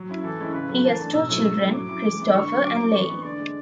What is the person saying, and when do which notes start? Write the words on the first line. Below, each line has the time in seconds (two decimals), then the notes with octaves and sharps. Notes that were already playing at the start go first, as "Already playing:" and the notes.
He has two children, Christopher and Leigh.
Already playing: F#3
0.09 C#4 E4
0.24 E3 A4
0.39 G#3 C#4 E4
0.53 C#3 B4
0.69 F#3 A3
0.84 E3 A5
0.99 A3 D4
1.14 B2 E6
1.29 F#3 A3 C#4 E4
1.44 F#3
1.59 A3 C#4 E4
1.74 F#3 D6
1.89 C#4 E4
2.05 E3
2.19 G#3 B3 E4
2.34 D3 C#6
2.49 F#3 A3
2.64 F#3 D6
2.79 C#4 E4
2.94 E3 C#6
3.09 B3 D4
3.24 D3 D5
3.40 G#3 D4